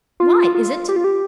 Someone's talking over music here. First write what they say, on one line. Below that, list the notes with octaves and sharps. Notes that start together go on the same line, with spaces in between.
"Why? is it--?"
F4
F4
G4
F4
G4